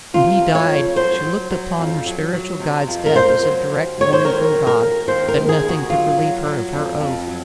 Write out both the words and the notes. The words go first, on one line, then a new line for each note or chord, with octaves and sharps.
When he died, she looked upon her spiritual guide's death as a direct warning from God, that nothing could relieve her of her oath.
C3 F4
F2
C#5
F2
F#3 C5
F#3
F#3
F2
F#3
F#3
C3
F2
A#4
F2 C5
F#3
D#2
F#3 C#5
C5
D#3 A#4
F#3
A#4
D#2
D#2 C5
A#4
D#3
G#4
D#2
F#4
F#3 F4
F#3
F#3
F2
F2
F#3